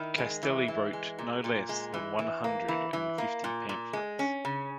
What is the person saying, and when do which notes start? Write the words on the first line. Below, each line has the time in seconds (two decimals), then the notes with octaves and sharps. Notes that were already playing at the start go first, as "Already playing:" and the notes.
Castelli wrote no less than one hundred and fifty pamphlets.
Already playing: D#3 E4
0.18 G#3
0.43 E3
0.68 E3
0.93 G#3
1.19 A#2
1.44 A#2
1.69 G#3
1.94 E3
2.19 E3
2.44 A#3
2.68 E3
2.93 E3
3.18 A#3
3.44 A#2
3.69 A#2
3.93 G#3
4.19 C#4
4.45 C#3